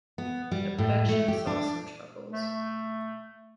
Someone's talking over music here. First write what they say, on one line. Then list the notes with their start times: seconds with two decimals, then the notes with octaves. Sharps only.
The production saw some troubles.
0.18 B3
0.51 G3
0.78 A2
1.08 A3
1.28 G4
1.47 D4
2.32 A3